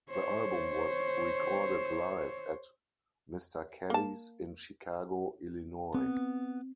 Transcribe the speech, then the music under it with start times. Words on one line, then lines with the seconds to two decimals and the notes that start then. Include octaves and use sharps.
The album was recorded live at Mr. Kelly's in Chicago, Illinois.
0.10 C5 C#5
3.90 A#3 A5
5.94 B3 C4